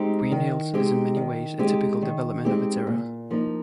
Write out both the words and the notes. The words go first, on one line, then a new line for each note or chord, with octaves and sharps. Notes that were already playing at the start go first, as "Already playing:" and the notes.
Green Hills is in many ways a typical development of its era.
Already playing: G#3 C4 D#4 G4
D#3
G#3 C4 D#4 G4
D#3
G#3 C4 D#4 G4
D#3
G#3 C4 D#4 G4
A#2
F3 A#3 D#4